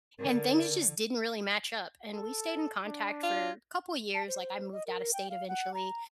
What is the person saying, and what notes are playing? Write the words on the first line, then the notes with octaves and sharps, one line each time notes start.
and things just didn't really match up, and we stayed in contact for couple years, like I moved out of state eventually,
D3 A#4
A4
D4
F4
A5
C5
D#5
A#4
G5
F5
F#5
A#5